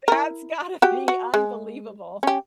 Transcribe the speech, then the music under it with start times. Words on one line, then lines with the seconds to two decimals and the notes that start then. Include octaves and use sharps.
That's gotta be unbelievable.
0.08 E4 A#4
0.82 F#4 G4 G5
1.08 F#4
1.34 G#3
2.23 C#4 G4